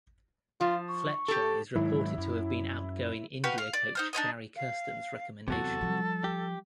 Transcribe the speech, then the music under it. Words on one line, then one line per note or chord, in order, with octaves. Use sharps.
Fletcher is reported to have been outgoing India coach Gary Kirsten's recommendation.
F3 F4
C#6
G4 A4
G#2 D#3 F#3 E4
F#2
F#4 G4 B4 F5
F5
D5
D#4 C5 F6
D4 D#4 C#5 D#5
F5
E2 C3 F#3 F#4 A4
F3 G3
G4